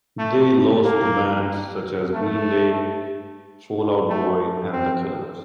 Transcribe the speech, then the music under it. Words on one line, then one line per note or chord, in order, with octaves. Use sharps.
They lost to bands such as Green Day, Fall Out Boy, and The Killers.
A3
A#3
A3
A3
C4